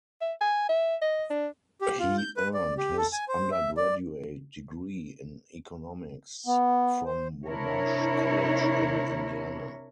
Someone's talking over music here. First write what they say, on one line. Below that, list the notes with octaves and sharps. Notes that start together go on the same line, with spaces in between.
He earned his undergraduate degree in Economics, from Wabash College in Indiana.
E5
G#5
E5
D#5
D4
G4
F4
G6
B4
D5
G4
A4
G#5
C5
E5
D5
B3
C5
C3 D4 E4 A#4 C#5